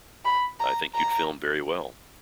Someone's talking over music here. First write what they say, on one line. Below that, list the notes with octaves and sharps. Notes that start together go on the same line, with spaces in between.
I think you'd film very well.
B5
A#5
A#5